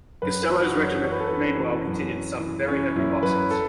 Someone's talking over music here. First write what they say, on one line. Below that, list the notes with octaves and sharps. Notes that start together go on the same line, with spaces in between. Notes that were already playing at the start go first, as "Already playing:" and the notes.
Gastello's regiment meanwhile continued to suffer very heavy losses.
F#2 B4
B4
E3
F#4
F#2
C#5
E3 C#5
B4
A4
E3 B4
C#4
E3
F#2
E3
E3
E3 C#4
F#2 E4
F#2 B4
A4